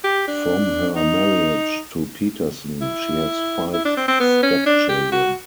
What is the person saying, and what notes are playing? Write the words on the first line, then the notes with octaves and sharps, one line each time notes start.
From her marriage to Peterson, she has five stepchildren.
G4
D4
D#4
E4
E4
D4
C4
C4
B3
C#4
D4
G4
F#4